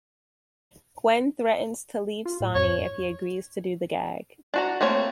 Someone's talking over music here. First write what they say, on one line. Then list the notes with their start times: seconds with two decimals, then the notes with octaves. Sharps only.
Gwen threatens to leave Sonny if he agrees to do the gag.
2.25 F4
2.41 A2
2.55 F2 C#5
4.54 D4 F#4 A#5
4.81 A3 A#3 C4 C#5